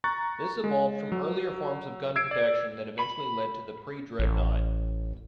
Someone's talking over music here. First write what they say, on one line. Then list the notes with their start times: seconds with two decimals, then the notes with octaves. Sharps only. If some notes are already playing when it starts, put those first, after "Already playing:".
This evolved from earlier forms of gun protection that eventually led to the pre-dreadnought.
0.04 A#5 C#6 F#6 A6
0.64 G#3
1.12 F#3
2.16 E6 G#6 C7 D7
2.31 D5
2.99 B5
4.19 A1